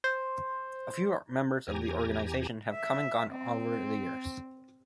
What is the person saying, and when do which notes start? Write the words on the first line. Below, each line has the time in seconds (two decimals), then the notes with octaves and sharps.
A few members of the organization have come and gone over the years.
0.04 C5
1.68 E2 G4 G#5 A#5
2.74 E5
3.31 C4